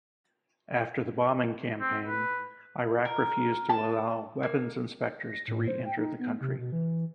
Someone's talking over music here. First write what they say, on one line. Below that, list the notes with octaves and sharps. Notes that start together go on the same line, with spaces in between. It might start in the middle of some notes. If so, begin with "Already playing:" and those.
After the bombing campaign, Iraq refused to allow weapons inspectors to re-enter the country.
C4
B4
A#4
A5
A#3
A#6
A2
C5
G5
D#4
B3
C3
B2
E3